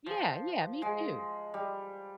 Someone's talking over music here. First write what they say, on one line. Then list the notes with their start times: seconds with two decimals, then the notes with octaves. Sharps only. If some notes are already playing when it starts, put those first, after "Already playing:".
Yeah, yeah. Me too.
0.06 F3
0.82 G#3
1.54 G3